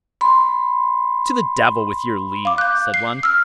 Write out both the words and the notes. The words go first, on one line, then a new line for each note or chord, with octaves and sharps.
'To the devil with your leave', said one.
B5 C6
F5 D6
F#6 G6
C7
E6 F6